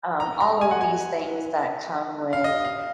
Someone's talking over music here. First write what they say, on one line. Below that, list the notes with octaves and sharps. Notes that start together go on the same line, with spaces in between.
um, all of these things that come with
A#5
A#5
G#5
F#5
G#5
F5
D#5
F5